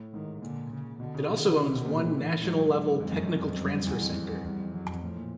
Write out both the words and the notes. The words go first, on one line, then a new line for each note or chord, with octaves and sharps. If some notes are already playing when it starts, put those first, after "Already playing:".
It also owns one National-level Technical Transfer Center.
Already playing: A2
G#2 D#3
A#2 D3
C#3
B2 D3
C#3
B2 D#3
D3
C#3
C3
B2
A#2
A2
A2 E3
G#2 F#3
F2 G#3
F#2
F2
F#2
F2
G3
E2
F2
F2
E2 G3
F2
F2 F#3
F2
A2 F3
A#2